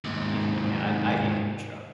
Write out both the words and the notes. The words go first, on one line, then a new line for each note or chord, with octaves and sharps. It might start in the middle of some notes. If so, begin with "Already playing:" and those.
Yeah, I mean, I I hate paper straws.
D#2 G#2